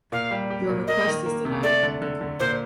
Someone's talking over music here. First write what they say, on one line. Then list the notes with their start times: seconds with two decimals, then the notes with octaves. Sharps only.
Your request is denied.
0.12 A#2 F5
0.31 G3
0.50 G4
0.69 A#2
0.87 A#3 D#5
1.07 D#3
1.26 A#3
1.45 C3
1.63 A3 D5
1.83 D3
2.02 D3
2.21 D3
2.40 A#2 C5